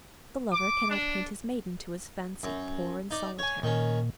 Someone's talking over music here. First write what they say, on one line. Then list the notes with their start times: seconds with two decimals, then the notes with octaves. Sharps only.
The lover cannot paint his maiden to his fancy poor and solitary.
0.52 D6
0.90 D4
2.43 F#2
3.11 D#4 D5
3.39 C#5 G#5
3.63 A#2 D#3 C#4